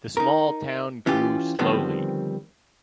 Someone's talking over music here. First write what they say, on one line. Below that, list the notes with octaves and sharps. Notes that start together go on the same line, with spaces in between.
The small town grew slowly.
D#4 A#4
E3 C#4 F4 G4
D3 D#3 F3 G3 B3 C4